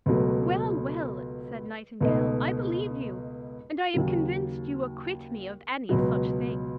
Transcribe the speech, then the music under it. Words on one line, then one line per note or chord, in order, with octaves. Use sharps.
"Well, well," said Nightingale, "I believe you, and I am convinced you acquit me of any such thing."
C#2 B2 F#3 A3
C#2 B2 A3 D#4
D#2 C#3 F#3
C#2 B2 F#3